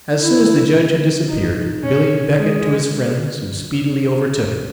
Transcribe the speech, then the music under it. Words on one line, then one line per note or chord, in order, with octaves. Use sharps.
As soon as the judge had disappeared, Billy beckoned to his friends, who speedily overtook him.
E4
D#4
C#4
G#3